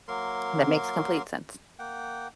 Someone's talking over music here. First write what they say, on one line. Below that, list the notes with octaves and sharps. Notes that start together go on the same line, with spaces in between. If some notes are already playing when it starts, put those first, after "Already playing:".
That makes complete sense.
F#3 A#3 A#4 C6
A#3 F#5 G5